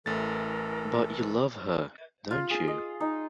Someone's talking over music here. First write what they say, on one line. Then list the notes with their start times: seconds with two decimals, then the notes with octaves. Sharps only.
But you love her, don't you?
0.06 A1 E3 A3 A4 A#4 A6
2.31 F4
2.50 G#4
2.68 D#5
3.00 D#4